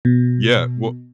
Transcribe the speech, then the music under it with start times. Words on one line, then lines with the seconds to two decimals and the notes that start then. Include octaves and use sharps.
Yeah, well
0.05 B2